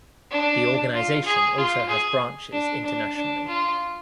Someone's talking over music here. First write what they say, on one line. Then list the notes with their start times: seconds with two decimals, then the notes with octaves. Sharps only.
The organization also has branches internationally.
0.31 D4
0.94 F4
1.25 G#4
1.57 F4
1.88 G#4
2.52 D4
2.84 D4
3.15 D4
3.47 F4